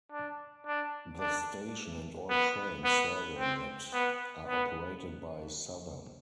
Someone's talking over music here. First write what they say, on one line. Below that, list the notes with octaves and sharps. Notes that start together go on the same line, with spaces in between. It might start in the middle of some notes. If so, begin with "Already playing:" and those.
The station and all trains serving it are operated by Southern.
D4
D4
D4
B3
B3
C4
B3
B3